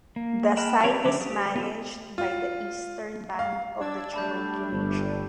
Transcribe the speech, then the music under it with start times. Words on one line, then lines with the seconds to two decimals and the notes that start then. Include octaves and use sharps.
The site is managed by the Eastern Band of the Cherokee Nation.
0.16 A#3
0.57 G5 A5 B5 F6 F#6
0.84 C4 G4 C#5 D5
1.04 D3 F#3 C#4 E5 D6
1.21 G4 D#6
1.56 B3 F4 A4
2.18 F4
3.39 F5
3.81 D4 E6 G#6 A6
4.14 G3 A3 A5 B5 G6
4.71 G1